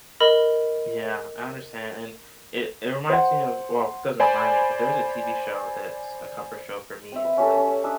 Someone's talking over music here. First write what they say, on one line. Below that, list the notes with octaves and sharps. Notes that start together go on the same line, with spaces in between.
Yeah, I understand, and it it reminds me of well, it doesn't remind me, but there's a TV show that's a comfort show for me, it's like,
A#4 D#5 B5
C5 F#5
C5 D5 G#5 B5
C4 E5
B4
C#4 G4 A4
C#4
E6
D4 D#6 E6